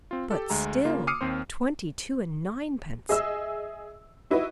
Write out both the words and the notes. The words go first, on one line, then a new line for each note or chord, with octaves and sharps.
'But, still--twenty-two and ninepence!
C4 F4
G4 A4
D2 G#3 A#5
C#3 A#3 F4
D6 D#6 F6 C7 C#7 D#7
D#2 C4 C5
G#4 D#5 E5 E6
D#4 E4 F#4 B4 D#5